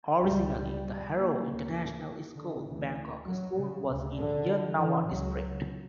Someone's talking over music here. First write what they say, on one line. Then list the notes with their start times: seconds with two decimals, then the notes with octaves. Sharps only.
Originally the Harrow International School, Bangkok school was in Yan Nawa District.
0.24 C#2 C#3 G3
1.14 A#3
1.44 D2 C#3
2.35 D3
2.65 D2 C#3 E3
3.25 F#3
3.56 C#3
3.86 D2 C#3
4.15 D3
4.76 E3
5.07 C#2 C#3 F#3